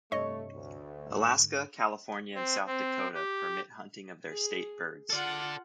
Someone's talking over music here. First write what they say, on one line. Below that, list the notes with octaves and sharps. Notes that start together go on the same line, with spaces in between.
Alaska, California, and South Dakota permit hunting of their state birds.
G2 C3 A3 C#5 D#5
D2
G#2 D3
C4
C4
G4
G#4
F4 A4 D5 F#5